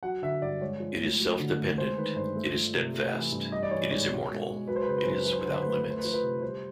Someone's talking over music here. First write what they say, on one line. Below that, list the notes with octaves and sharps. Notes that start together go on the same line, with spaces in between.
It is self-dependent, it is steadfast, it is immortal, it is without limits.
F#3 F#5
D3 E5
G2 D5
G#3 C#5
F3
A2
F#3
D3
A3
G#3 C5
D#3 B4
G2 C5
A3
F3
C3
A3
E3
G2
G3 D#5
D5
E3 C#5
G#2 C#5
B2
G#3
G#3
F#3 B4
C5
B4
C#3 C5
B4
C5
F#2 B4
C5
F#3 B4
C5
B4
D3 C5
B4
C5
A3 B4
C5
A3 B4
C5
B4
F3 C5
B4
C3
G3 C5